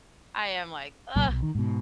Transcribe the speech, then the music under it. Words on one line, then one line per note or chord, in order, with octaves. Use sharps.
I am like, "Ugh."
C2 A#2 F#3 A#3
B1
D#3
G#2 B2